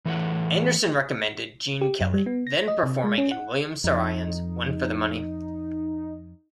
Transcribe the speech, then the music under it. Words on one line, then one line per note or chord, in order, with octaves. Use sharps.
Anderson recommended Gene Kelly, then performing in William Saroyan's "One for the Money".
E3 A3 C#5 F#5
G4
F#2
G3
B3
A#6
D#5
C3
G#3
C#4
F#5
F2 D#4